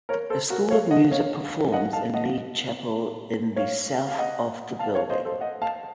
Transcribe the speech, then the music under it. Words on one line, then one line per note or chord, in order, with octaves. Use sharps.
The School of Music performs in Lee Chapel in the south of the building.
A#4 C#5
A4 C5
F#4 A#4
C#5 F5
D#5 F#5
C#5 F5
D#5 F#5
F5 A5
D#5 F#5
C#5 F5
F5
D#5 F#5
F5 A5
C#5 F5
C5 D#5
A4 C5
D#5 F#5
F5 A5